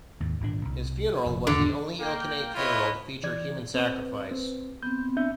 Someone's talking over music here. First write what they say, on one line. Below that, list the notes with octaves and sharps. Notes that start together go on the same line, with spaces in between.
His funeral was the only Ilkhanate funeral to feature human sacrifice.
D#2 G#2
G#1 A#2 D4
C2
F1
E2 G#2 D3 D#3
A#3 G5
E4 F4 B4 C#5 D#5
E3 D5 G#6
C4 B4
C4
B3 C4 G6
D4 E5 G6